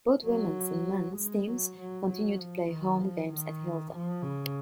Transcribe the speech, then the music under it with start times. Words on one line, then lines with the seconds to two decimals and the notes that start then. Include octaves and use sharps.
Both women's and men's teams continue to play home games at Hilton.
0.25 F#3
1.17 G#3
1.47 F#3
1.78 F#3
2.08 F#3
2.38 F3
2.70 D#3
2.99 F3
3.30 D#3
3.92 F3
4.22 C#3